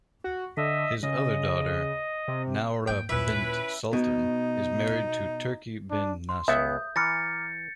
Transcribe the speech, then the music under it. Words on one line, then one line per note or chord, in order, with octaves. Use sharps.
His other daughter, Noura bint Sultan, is married to Turki bin Nasser.
F#4
D3 D#5 E5
C#3 D#5
C3
G#2 A#3 G5
D#2 A#2 C#4 E4 B4 E5
B2 D#4
D4
C6
C#2 B3 E5 D#6 G6
E3 A#5 D6 F6 A6 A#6 C#7